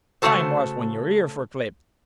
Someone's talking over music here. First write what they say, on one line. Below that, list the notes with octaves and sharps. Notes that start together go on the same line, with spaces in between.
Time was when your ears were clipped.
C#3 A3 B3 F#4 A4 C5